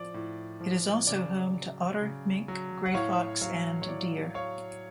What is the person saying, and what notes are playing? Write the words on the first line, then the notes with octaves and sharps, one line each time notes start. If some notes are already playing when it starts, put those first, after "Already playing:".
It is also home to otter, mink, grey fox and deer.
Already playing: A2 F3 D5
A2
F3
C#3 D5
F#3
C#3
F#3
F#5
A2 C#5 F5
F#3 C#5 F5
C#5
A2 D5
F#3 C#5 F5